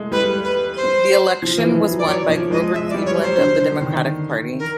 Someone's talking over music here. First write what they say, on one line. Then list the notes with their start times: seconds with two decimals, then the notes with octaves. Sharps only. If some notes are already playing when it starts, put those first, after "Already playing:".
The election was won by Grover Cleveland of the Democratic Party.
Already playing: G#3 A3
0.12 G3 B4
0.44 B4
0.76 C5
1.42 F3
1.58 E3
1.75 F3
1.91 F#3
1.98 D5
2.07 F#3 C#5
2.29 F3
2.51 G#3 D#5
2.73 G#3 E5
2.89 D5
2.94 G3
3.06 C#5
3.16 F#3
3.22 C5
3.38 D3
3.59 D3
3.81 D#3
4.59 A#4